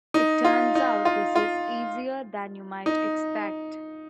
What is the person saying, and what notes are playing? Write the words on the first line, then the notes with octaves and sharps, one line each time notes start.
It turns out this is easier than you might expect.
D#4
F4
D#4
F4
F4
D#4